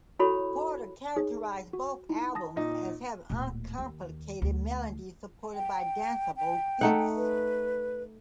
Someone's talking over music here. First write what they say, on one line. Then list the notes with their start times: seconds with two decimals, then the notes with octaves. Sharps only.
Porter characterized both albums as having uncomplicated melodies supported by danceable beats.
0.19 E4 F#4 A4 C#5 B5
1.16 D#4 G#4 C#5
1.73 F#4
2.09 D#4 E4
2.35 A5 D#6 A#6
2.56 A#2 D#4
3.30 D1 A#2
3.79 D#2
4.42 D2
5.55 G5
6.37 G5
6.81 A3 D#4 F#5
7.16 B4